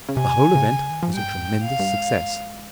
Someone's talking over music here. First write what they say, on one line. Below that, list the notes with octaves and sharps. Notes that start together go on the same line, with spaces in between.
The whole event was a tremendous success.
C#3
C3 G#5
D#3
C#3
C3
C#3
D#3
F3
G3 G5
G2
G#2
G2
F5
G2
G#2